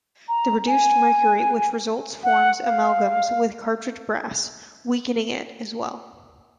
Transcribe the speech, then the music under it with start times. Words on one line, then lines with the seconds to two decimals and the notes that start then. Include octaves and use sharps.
The reduced mercury which results forms amalgams with cartridge brass, weakening it, as well.
0.28 A#5
0.67 G#5
2.23 F#5
2.62 F5